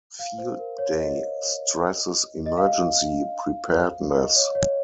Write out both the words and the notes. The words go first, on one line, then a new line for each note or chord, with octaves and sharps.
Field Day stresses emergency preparedness.
F5
C5
A#4
C#5
D#5
D#5
F5
D#5
C#5
C#5